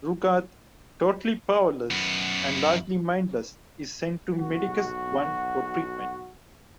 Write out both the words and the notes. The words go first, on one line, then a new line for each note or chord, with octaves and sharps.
Rugarth, totally powerless, and largely mindless, is sent to Medicus One for treatment.
F#2 B3
B1 F#4